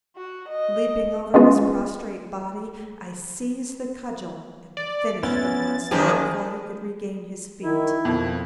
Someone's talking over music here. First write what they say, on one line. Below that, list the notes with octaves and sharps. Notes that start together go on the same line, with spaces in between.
Leaping over his prostrate body, I seized the cudgel and finished the monster before he could regain his feet.
F#4
D#5
G#3 B3 C#4 F4 B4
D5
B3 C#4 E4 A6
F#2 D#3 F3 A#3 G4 G#4
D#3 E4
F2 B2 F3